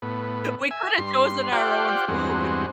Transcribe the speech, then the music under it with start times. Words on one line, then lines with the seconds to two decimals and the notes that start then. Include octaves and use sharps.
We coulda chosen our own food,
0.02 A2 B3
0.71 E5 G#5
0.98 G2 C6
1.52 F4 G4 C5 D5 F#5 G5
2.08 E2 G2 G#3 C4 F#4